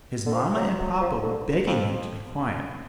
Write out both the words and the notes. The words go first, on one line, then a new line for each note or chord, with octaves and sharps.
His mamma and papa were begging him to be quiet.
D3
F3
F#3
F#3
F3
D3
F2